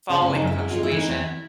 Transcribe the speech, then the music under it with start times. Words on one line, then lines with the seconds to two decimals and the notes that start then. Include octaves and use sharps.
following the punctuation,
0.09 C#3 D4
0.22 C#4
0.26 C#3
0.35 D#4
0.42 F#2
0.47 E4
0.58 G#3 E4
0.71 F4
0.76 G#3
0.83 E4
0.92 E3
0.97 D#4
1.08 E2 E4